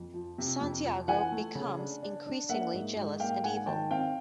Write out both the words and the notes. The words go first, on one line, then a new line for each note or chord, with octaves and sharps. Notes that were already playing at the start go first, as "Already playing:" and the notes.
Santiago becomes increasingly jealous and evil.
Already playing: F2
F3
C3
F2
F3
E3 F#5 G#5
A3
C#3
D4
D4
D4
A#3 E5 F#5
G#2
G#2
A#3 F5 G5
G#2 F#5 G#5
D#3 G5 A5
C4 F5 G5